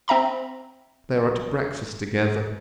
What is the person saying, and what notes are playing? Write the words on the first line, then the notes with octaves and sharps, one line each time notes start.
They are at breakfast together.
C4 E5 A#5 B5